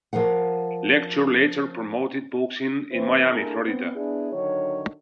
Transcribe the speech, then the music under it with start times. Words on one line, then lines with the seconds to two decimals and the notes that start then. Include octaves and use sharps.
Lectoure later promoted boxing in Miami, Florida.
0.13 F3 A#4 F5 F#5
2.92 E3 C4 E4 B4 C5
3.31 A3 A#3 D4 E4 G#4
3.65 B3 C4
3.95 B3 D4 E4 G#4
4.32 D3 D#3 F#3 C#5